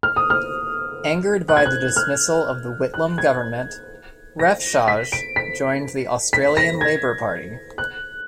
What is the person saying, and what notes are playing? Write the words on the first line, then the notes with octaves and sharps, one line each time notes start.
Angered by the dismissal of the Whitlam Government, Refshauge joined the Australian Labor Party.
F6
D#6
F6
F#6
G#6
F#6
F6
F#6
G#6
A#6
B6
D7
B6
B6
A#6
G#6
F#6